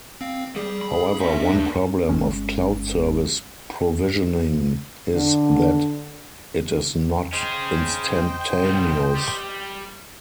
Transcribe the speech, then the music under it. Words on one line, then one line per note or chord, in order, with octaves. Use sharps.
However one problem of cloud service provisioning is that it is not instantaneous.
C4 F5
G3 G#4
B5
C4 C#5 E5 A#6
G3 D4
D#2
G1 G#3 C#4
D3
C#4 G#4 C5 D#5 G5
C2 B2
G3